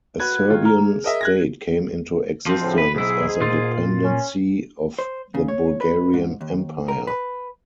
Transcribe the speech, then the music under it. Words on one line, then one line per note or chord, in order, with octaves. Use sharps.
A Serbian state came into existence as a dependency of the Bulgarian Empire.
F#4 B4 F#6 G#6
D#3 F4
A#5 F6
G#4
A#4 D#5 E5
F#6 G#6 A#6
F3 C4
D2 A2 C#3
B4
B1 G#2 E4 G#4
A#2 F4
C#4
C5
C#3
C#5
B4
G#2
D#2
A#4
B4